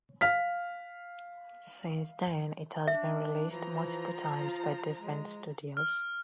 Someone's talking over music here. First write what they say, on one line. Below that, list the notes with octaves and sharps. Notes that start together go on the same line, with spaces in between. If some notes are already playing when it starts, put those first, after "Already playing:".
Since then it has been released multiple times by different studios.
F5 F6 B6
D4 E5
E3 F3 A#5
F4
G#3
F6